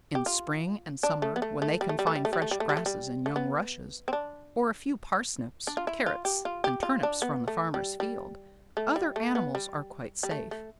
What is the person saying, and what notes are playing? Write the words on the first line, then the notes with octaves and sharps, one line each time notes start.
In spring and summer, when they can find fresh grasses and young rushes, or a few parsnips, carrots, and turnips from the farmers' fields, other animals are quite safe.
G4
F4
D4
A3
B3
A3
A3
G3
A3
G3
A3
G3
A3
G3
A3
G3
A3
G3
A3
G3
A3
B3
C4
D4
D4
F4
E4
F4
G4
F4
G4
F4
D4
B3
A3
G3
G3
A3
G3
A3
B3
G3
G3
A3
A3